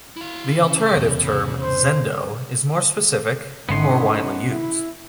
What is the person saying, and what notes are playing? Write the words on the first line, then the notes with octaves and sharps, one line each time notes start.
The alternative term "zendo" is more specific, and more widely used.
E4 F5
C#3 E3 C#4
E2 C3
C5
G#1 A2 B3 C#4 D#4 C6
E4